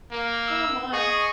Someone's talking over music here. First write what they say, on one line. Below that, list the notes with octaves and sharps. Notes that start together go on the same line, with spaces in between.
Oh my.
A#3
E6
G#4 D#5 C#6